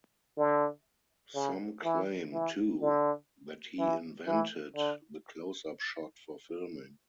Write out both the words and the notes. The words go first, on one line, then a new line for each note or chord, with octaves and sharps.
Some claim, too, that he "invented" the close-up shot for filming.
D3
C#3
E3
E3
D3
E3
E3
D3